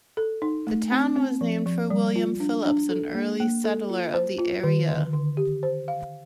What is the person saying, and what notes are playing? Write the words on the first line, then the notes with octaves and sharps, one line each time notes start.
The town was named for William Phillips, an early settler of the area.
A4
D#4
A3
C4
C4
F3
F3
G3
F4
D4
D4
A4
A#3
A#3
A4
F4
C5
F4
D#3
D3
D3
G4
C5
F5